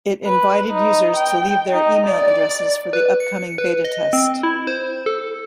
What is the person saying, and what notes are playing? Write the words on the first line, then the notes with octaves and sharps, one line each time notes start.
It invited users to leave their email addresses for the upcoming beta test.
B4
D#4
G5
D#4
D5
B4
C#7
B4
D#5
C4
E4
C5
A4